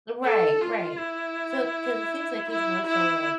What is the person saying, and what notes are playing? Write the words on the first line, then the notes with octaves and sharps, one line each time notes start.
Right, right. So 'cause it seems like he's more so, like,
A4
F4
E4
E4
E4